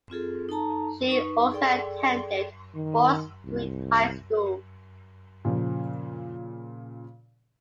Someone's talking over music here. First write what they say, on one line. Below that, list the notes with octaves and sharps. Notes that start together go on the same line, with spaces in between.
She also attended Fort Street High School.
C4 F4 G#4 A4
D#4 A4 A5 A#5
D#4 B4 C#6
G#4 A4 D5 G5
D#3
C2
A#2 C#3 F3